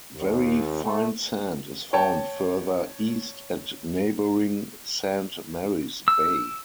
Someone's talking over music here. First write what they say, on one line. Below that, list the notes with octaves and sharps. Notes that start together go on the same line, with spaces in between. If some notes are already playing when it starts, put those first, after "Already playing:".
Very fine sand is found further east at neighbouring Saint Mary's Bay.
D#2
A3
C#5 G5 A5
E6